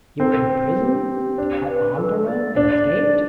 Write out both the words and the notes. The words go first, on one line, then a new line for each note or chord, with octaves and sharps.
You were in prison at Omdurman and escaped?
C4 A4
C5
G4
D4
C5
B4
A4
D5
D4 D5
D5